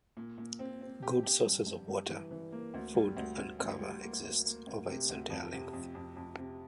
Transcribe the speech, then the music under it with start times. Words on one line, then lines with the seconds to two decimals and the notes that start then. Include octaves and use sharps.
Good sources of water, food, and cover exist over its entire length.
0.17 A#2
0.38 A#2
0.59 C4
0.81 C4
1.03 G4
1.23 G4
1.45 G2
1.66 G2
1.88 G2
2.10 E3
2.31 E3
2.52 A#3
2.74 D2
2.95 G3
3.17 D2
3.38 D2
3.59 D2
3.80 G3
4.02 A#3
4.24 D2
4.45 A#3
4.67 D2
4.88 C3
5.09 D2
5.30 F2
5.52 C3
5.73 F2
5.95 F2
6.17 F2
6.38 C3